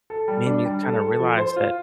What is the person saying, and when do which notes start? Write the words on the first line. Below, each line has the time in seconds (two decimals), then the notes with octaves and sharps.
made me kinda realize that
0.10 A4
0.28 G3
0.46 D4
0.65 G3
0.83 A4
1.01 A4
1.19 F3
1.38 C5
1.56 F4